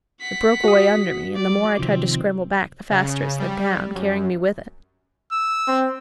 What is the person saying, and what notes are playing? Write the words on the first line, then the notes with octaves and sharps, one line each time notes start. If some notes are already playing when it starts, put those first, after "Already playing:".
It broke away under me and the more I tried to scramble back the faster it slid down, carrying me with it.
F#5 B6
F#4 D#6
F#3 D5
C3 D#3 F3 C4
C#3
G3
F#2
E6
C4